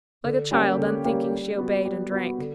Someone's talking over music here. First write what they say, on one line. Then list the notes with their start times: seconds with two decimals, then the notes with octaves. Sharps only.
Like a child, unthinking, she obeyed and drank.
0.24 D3
0.51 G3 A#3 C#4 G4
0.77 D3
1.05 G3 A#3 C#4 G4
1.31 G3
1.58 B3 F#4
1.85 G3
2.11 B3 F#4
2.38 D3